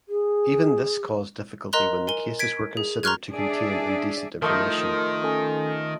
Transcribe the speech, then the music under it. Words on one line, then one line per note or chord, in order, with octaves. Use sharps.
Even this caused difficulty when the cases were considered to contain indecent information.
G#4
A#4 D#5 A#5 C6 F#6 G7
A#4 G#5 G7
G#6 B6 D7
G#4
A#5 C6 C#6 F6 F#6 G#6
D4 G#4 D5 E5
D#3 F3 A3 D#4 A#4
C#4 A4 G#5